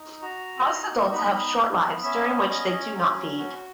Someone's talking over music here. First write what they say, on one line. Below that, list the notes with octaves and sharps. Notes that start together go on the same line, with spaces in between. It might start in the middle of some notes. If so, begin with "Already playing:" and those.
Most adults have short lives during which they do not feed.
Already playing: D#4
F#4 A#5
D#4
B3 B5
B3
C#4 E5
C#4 D#5
F#3
F#4